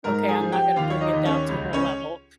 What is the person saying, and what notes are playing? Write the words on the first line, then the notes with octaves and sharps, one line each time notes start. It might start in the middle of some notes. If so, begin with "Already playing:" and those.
"Okay, I'm not gonna bring it down to her level."
G#2 A#4 A#5
G#4 G#5
F3
G4 G5
D#2 F4 F5
C#5
D#4 D#5
D#2
C#4 C#5
C#2
C#4 C#5